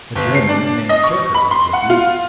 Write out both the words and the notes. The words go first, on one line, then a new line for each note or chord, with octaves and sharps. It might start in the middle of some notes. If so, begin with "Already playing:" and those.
A German, named Tyrker, was with Leif.
G1
C7
D4
D#5
C#6
B5
C6
F#5
F4